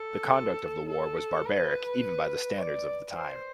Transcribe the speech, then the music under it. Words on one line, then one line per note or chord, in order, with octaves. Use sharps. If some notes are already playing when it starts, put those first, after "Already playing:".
The conduct of the war was barbaric even by the standards of the time.
Already playing: A4
A4
B4
D5
C5